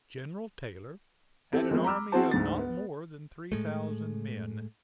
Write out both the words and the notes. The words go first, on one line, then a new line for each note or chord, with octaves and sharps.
General Taylor had an army of not more than three thousand men.
C4 E4 G4 A4
F3 G#3 A#3 C4
A#5 B5 D6 E6 F6
C4 E4 F#4 G#4 C5 A5
D2 G#2 A6
B3
A2 G#3 A3